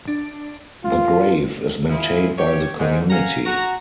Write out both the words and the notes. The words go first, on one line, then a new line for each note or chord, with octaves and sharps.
The grave is maintained by the community.
D4
F4
E4 F4 G#4
G4 C#5
G#2
C#4 F5 F#5 G#5 A#5
F#4 A#5